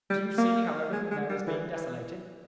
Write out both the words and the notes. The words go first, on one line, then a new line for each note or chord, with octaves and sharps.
Do you see how everything there is being desolated!
G3
A#3
G#3
G#3
G3
E3
E3